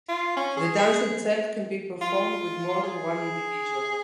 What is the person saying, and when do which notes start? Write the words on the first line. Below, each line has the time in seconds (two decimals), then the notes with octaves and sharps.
The dance itself can be performed with more than one individual.
0.09 F4
0.37 C#4
0.57 G#4
0.78 G#4
2.01 F4
2.83 G#4